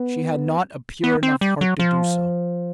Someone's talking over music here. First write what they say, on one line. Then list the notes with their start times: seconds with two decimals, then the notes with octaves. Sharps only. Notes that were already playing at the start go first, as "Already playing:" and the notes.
She had not a pure enough heart to do so.
Already playing: B3
1.04 B3
1.23 C4
1.41 G3
1.61 F#3
1.79 F3